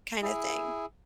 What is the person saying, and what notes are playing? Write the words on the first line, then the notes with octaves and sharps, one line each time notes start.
kinda thing.
E4 G#4